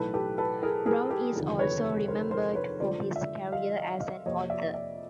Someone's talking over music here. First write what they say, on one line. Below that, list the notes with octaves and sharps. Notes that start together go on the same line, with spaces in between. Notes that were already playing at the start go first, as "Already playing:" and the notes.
Brown is also remembered for his career as an author.
Already playing: B1 A2 E3 A4 B4
G4 A4
A4 B4
G#4 A#4
G#4 A#4
G4 A4
F1 D#2 D3 F3
B4 C#5
A#4 C5
A#4 C5
B4 C#5
F2 D3 F3 G#3 C5 D5
D5 E5
D#5 F5
D#5 F5
D#5 F5
F2 C3 F3 A#3 C#5 D#5
D5 E5
D5 E5